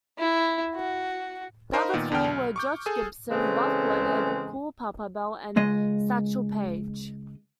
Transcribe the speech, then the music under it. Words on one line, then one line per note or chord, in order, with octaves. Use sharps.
The other four were Josh Gibson, Buck Leonard, Cool Papa Bell and Satchel Paige.
E4
F#4
D#4 A#4 C5 D#5 F5 B5
A#2 D#3 B3
E2 D3 B3 G5 F6
B1
C#6 D6 G6
G#4 A4 G#5 D#6
C#3 E3 G#3 C4 C#4 A4
C#2 G#3 D#5